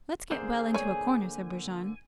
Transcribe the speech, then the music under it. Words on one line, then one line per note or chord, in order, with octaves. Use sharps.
"Let's get well into a corner," said Brujon.
D3 A#3 G#4 C5
C#5 D5 G#5